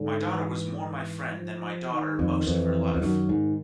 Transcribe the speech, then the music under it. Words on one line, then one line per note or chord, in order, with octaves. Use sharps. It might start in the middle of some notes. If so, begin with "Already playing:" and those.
My daughter was more my friend than my daughter most of her life.
Already playing: G#2 D3
E3
E3
F3
D#3
F2
F2 E3
F2
F#2 D#3
G#2